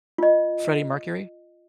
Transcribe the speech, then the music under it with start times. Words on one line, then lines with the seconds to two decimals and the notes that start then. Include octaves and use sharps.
Freddie Mercury?
0.18 F4 D#5